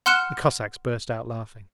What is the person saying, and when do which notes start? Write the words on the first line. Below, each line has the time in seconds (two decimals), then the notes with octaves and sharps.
The Cossacks burst out laughing.
0.06 F#5 C6 F6 F#6 C#7 E7